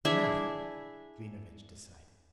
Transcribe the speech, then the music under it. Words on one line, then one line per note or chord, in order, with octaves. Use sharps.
"Enough!" Klinevitch decided.
D4 E4 G#4 E5